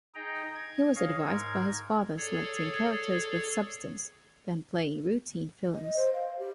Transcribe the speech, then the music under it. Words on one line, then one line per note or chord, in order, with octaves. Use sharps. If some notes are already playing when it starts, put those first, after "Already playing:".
He was advised by his father selecting characters with substance, than playing routine films.
D#4 G#4 D#5 G5 A#5
G#6
G#4 C#5 D#5 F5
G#2 A#4 G#6
G#4 A4 C#5 D5
D#5
C5
F5
G4